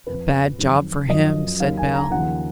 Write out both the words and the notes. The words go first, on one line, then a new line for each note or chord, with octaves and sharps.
"A bad job for him," said Bell.
F2 F3 B4
F2 D#3 F#3
F#2 F3 D#5
D#2 D#3 F#3 F5
G#5
A#5
D#2 C#3 F3 F#5